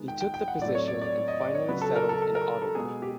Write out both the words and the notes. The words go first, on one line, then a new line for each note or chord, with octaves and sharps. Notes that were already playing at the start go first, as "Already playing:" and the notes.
He took the position and finally settled in Ottawa.
Already playing: D#3 G#3 B3
G5
G5
G5
F#5
A2 F#3 A3 C4 D5
C#5
D5
D5
D#5
D5
C#5
C#3 F#3 B3 B4
A4
A#4
A4
A4
A#4
A4
B2 G#3 B3 G#4
G4